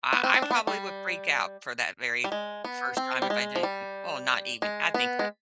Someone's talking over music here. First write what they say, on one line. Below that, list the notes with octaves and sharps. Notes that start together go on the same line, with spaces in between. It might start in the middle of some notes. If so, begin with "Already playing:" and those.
I I probably would freak out for that very first time if I didn't Well, not even. I think,
B3
C4
C4
D4
B3
G3
G3
G#3
B3
C4
G3
G#3
F3
G3
G#3
B3
G#3